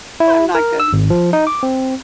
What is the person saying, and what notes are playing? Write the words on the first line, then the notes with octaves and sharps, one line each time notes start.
I'm not good.
E4
A#4
E6
G#1
F3
D#4
D6
C4